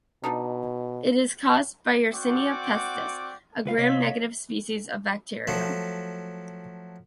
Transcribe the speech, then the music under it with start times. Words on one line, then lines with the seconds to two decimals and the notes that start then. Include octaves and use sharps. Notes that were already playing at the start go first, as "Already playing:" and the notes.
It is caused by "Yersinia pestis", a gram-negative species of bacterium.
0.24 B2 F3 D4 D#4
2.12 C4 F#4 D5 F#5 G5 D6
3.66 C#2 F4 B4 F5
3.78 C3 B3 C#5 D#5 F5 B6
5.47 F3 F#3 A3